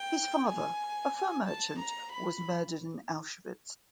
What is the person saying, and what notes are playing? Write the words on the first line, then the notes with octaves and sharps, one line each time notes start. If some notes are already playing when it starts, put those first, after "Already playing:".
His father, a fur merchant, was murdered in Auschwitz.
Already playing: G5
G#5
A5
A#5
B5